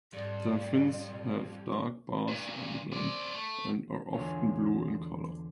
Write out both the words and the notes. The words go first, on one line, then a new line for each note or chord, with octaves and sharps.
Their fins have dark bars on them and are often blue in colour.
F2 G#2 G3 D5
G2 A#2
C4 D5
A3
E2 D3 F4 G#4 C#5 G#5